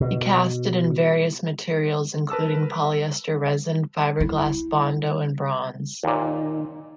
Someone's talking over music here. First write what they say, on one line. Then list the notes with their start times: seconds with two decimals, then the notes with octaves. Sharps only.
He casted in various materials, including polyester resin, fiberglass, Bondo, and bronze.
0.01 B2
2.30 A#4 B4 A5 E6
4.20 E4
6.03 D#2 A#2 D#3 D#4